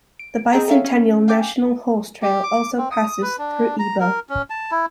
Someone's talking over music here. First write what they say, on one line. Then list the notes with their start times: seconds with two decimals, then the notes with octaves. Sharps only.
The Bi-Centennial National Horse Trail also passes through Ebor.
0.19 D7
0.53 C4 G#4 D#5 G5 A#5
0.68 A4 C#5 E5 F5
0.84 C#4
1.28 F5 G5 G#5 D6 G6
2.22 G4
2.43 D6
2.78 C4
2.91 D#6
3.22 B4
3.38 D4
3.79 A#5
4.00 A#4
4.29 C#4
4.50 A5
4.71 E4